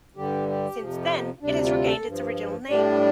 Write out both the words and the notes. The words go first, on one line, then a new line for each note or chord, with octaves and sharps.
Since then it has regained its original name.
G2 D3 G3 G4
G4
F2 C3 F3
G4
D2 C3 G3 D4
F4
A4
G2 F3
A2 G3 D4